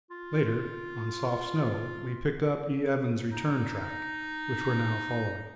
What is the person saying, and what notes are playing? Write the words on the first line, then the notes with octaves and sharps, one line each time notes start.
Later, on soft snow, we picked up E. Evans' return track, which we are now following.
F4
D#4